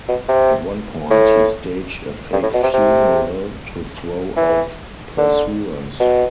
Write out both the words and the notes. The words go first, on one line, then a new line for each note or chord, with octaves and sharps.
At one point, he staged a fake funeral to throw off pursuers.
B2
C3
A2
G2
A2
B2
C3
C3
E3
D3
B2